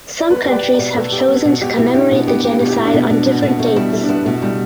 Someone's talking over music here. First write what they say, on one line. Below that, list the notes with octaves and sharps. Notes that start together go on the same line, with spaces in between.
Some countries have chosen to commemorate the genocide on different dates.
D5
B3 B4
G4 B4
D5
G4
B2 D5
B4
B2 A4
G4
B3
B2
B2 G4
B2 E4
D4 G4
B2 B3
B3 G4
G4
B2
G4
B2 E4
D4
B2 B3
B2 D4
B2 B3
B2 A3
B2 A3
G3 E4
B2 A3
D4
B3 E4
B2 A3
G3 A3